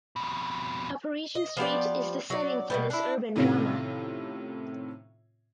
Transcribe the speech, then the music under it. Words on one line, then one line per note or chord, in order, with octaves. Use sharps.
A Parisian street is the setting for this urban drama.
F2 B2
D#5
F3 B3 G4 D5
F#3 D5
B2 D3 G3
D4 E4
A2 C3 D#3 C4 C#4 F4